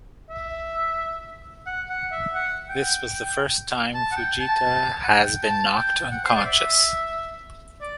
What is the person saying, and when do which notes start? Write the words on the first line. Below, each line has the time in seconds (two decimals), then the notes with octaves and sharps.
This was the first time Fujita has been knocked unconscious.
0.30 E5
1.66 F#5
1.90 F#5
2.12 E5
2.35 F#5
2.69 G5
3.94 A5
4.12 F#5
4.17 G5
4.40 A5
5.04 F#5
5.08 G5
5.43 A5
5.77 G5
6.11 F#5
6.25 C5
6.35 D5
6.45 E5
7.81 D5